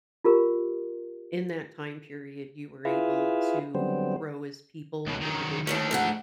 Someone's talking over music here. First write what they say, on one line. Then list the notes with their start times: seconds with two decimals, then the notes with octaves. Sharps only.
in that time period, you were able to grow as people individually.
0.25 F4 G4 A#4
2.85 E4 F4 G#4 B4 E5 F5
3.75 D3 F#3 G3 B3 C4 C5
5.07 C#2 B2
5.21 D#3 F#3
5.67 D#2 G#2 D#3 A3 D4
5.91 G#2 A#4 F#5